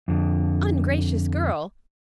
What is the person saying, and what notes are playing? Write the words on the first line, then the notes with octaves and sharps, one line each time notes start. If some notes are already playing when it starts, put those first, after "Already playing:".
Ungracious girl!
F2 D3